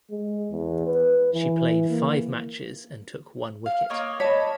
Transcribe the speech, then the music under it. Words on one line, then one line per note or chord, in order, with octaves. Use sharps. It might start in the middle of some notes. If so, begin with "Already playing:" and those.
She played five matches and took one wicket.
G#3
E2
B4
E3
A#3
F5
A#3 C#5 D#5
C#5 D#5 A5 B5